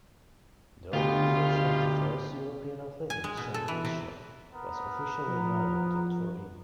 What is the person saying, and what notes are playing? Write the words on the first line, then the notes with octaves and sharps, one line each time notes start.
The organization of the first European Athletics Championships was officially awarded to Turin.
D2 B2 D#4 F4 G4
G#5
G#3
B2
A4
E3
C3
B3 A#4
F3